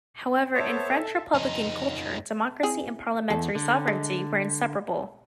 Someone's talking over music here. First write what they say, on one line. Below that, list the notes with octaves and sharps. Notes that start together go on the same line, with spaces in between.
However, in French Republican culture, democracy and parliamentary sovereignty were inseparable.
B3 A4 C5 C#5 E5 A5
F2 D#4
C4 E4 G#4
E2 A4
D3
G#3